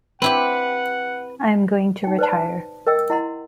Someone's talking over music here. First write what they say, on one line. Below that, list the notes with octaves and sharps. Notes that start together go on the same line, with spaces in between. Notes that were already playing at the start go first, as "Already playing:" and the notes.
I am going to retire.
C4 E4 G4 B4 F#5
D#4 G5
B4 C5 D5 A5
A#4 D#5 G5 E6
E4 D#5 F#5 A#5 C6